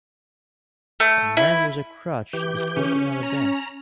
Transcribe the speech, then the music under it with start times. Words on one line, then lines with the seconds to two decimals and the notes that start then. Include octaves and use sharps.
A man with a crutch is sleeping on a bench.
1.00 A3
1.37 E4
2.33 E3 G4 G6
2.76 C#4
3.23 A#5